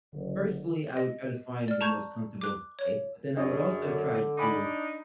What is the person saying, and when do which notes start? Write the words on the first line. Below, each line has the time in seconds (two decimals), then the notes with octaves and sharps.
firstly, I would try to find the most comfortable place, but then I would also try to,
0.13 F#1 D3
0.97 D#5
1.68 D5 F6
1.81 A5 A#5 C#6 G6 G#6
2.41 D6 F#6
2.79 C#5
3.36 F#2 D4 F#4 G#4 D#5
3.82 D3
4.38 D4 D#4 G#5 B5 D6